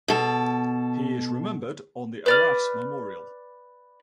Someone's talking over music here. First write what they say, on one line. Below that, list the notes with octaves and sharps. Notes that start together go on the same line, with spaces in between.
He is remembered on the Arras Memorial.
B2 A4
B4 D5 F6